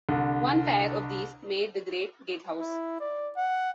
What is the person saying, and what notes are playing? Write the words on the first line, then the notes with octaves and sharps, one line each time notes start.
One pair of these made the great gatehouse.
C2 D3
E4
D5
F#5